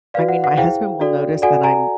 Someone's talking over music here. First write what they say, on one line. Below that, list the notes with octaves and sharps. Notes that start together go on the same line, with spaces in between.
I mean, my husband will notice that I'm
F#4 B4 D5 F5
F#5
F#5
E4 G#4 C5 F5 G5
D4 F#4 A4 D5
F#4 A4 D5 F#5 G#5
G#5 A#5